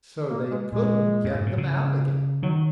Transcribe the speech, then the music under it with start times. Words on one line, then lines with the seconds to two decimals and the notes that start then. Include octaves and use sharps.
So they couldn't get them out again.
0.30 A#3
0.51 G#3
0.72 A#2 G#3
1.24 F#2
1.35 G#2
1.46 A#2
1.58 C#3
2.43 D#3 F#3